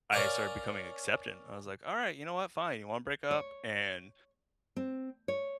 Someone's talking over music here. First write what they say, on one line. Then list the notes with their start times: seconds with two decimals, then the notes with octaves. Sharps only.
I started becoming acceptant. I was like, "Alright, you know what? Fine, you wanna break up?"and,
0.12 C#4 A#4 D5 F5 G#5 C#6
3.31 C#5
4.76 C4
5.28 C#5